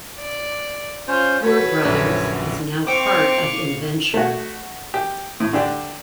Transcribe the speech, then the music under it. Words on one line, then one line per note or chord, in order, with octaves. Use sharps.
Poore Brothers is now part of Inventure.
D5
C#4 F4 C5
F#4 A4 B4 C#5
A#1 F#2 D3
C4 C5 F5 G5 C#6 D6
A3 F#4
G4
A2
D3 D4 G4